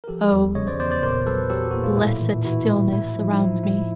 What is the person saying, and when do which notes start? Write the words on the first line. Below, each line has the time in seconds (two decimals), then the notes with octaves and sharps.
O blessed stillness around me!
0.04 A#4
0.08 F3 G4 A4
0.32 E2
0.55 C#3 C#5 D#5
0.67 C5 D5
0.80 E2 C5 D5
0.91 C5 D5
1.02 A#2 A#4 C5
1.26 F#3 A4 B4
1.50 F#3 G4 A4
1.71 A#2 F#4
1.84 F4
1.97 A2 E4
2.21 E3
2.45 E3 E4 F#4
2.68 A2
2.92 A2 E4
3.16 F3
3.30 D#4
3.39 F3 E4
3.63 A2 E4